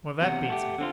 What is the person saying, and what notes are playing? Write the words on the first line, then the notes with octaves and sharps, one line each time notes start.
Well, that beats me.
E2 C3 F#5
A3 F#4 G4
D3 C4 F4